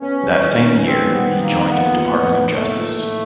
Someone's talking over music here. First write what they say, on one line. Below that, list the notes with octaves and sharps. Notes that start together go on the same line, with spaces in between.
That same year he joined the Department of Justice.
B3 C#4
G3
D#3
D#4
B3 C4
G3
B3
D#3
A#3
D#4
A#3 B3
F3
A2
D#4
A3 A#3
F3
A2